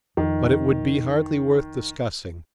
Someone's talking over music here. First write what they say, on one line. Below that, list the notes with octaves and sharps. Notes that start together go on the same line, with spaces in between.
But it would be hardly worth discussing.
F2 D#3